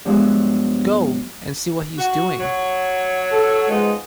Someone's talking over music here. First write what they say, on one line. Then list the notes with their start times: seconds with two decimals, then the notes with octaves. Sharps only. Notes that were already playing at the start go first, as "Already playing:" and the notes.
Go and see what he is doing.
0.05 G2 F3 F#3 G#3 B3 E6
1.98 F#4
2.39 F#3 C#5
3.32 A4
3.69 F3 G#3 B3 D#4